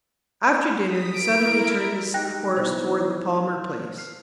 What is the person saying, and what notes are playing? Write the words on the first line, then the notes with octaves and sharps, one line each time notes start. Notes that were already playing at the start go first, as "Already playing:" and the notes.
After dinner he suddenly turned his horse towards the Palmer place.
D#6 B6
E4 A#4 D7
G#3 D#4 G4 G5 F#6 A#6
B2 E3 D#4 C5
F6 C7